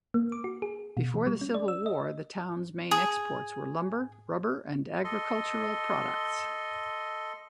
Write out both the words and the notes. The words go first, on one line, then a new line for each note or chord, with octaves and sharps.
Before the civil war, the town's main exports were lumber, rubber, and agricultural products.
A#3
D6
F#4
G#4
B2
E3
G3
C#4
D5
E6
D#5
G#4
A4 D#5 C6